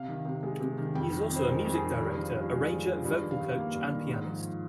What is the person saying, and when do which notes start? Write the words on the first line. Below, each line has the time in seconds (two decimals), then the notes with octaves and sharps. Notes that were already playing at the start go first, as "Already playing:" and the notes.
He is also a music director, arranger, vocal coach, and pianist.
Already playing: C3 F5
0.08 D#3
0.25 C3
0.43 G#3
0.60 C3
0.78 D#3
0.95 F2 G5
1.12 D#3
1.22 G5
1.30 F2
1.36 C5
1.47 G#3 A#4
1.65 F2
1.74 G#4
1.83 D#3
2.00 G2
2.17 F3
2.36 G2
2.52 G#3
2.70 G2
2.87 F3
3.04 G2 G#4
3.21 D#3
3.31 F5
3.40 G2
3.57 A#3
3.74 G2
3.91 D#3
4.09 G#2
4.27 F3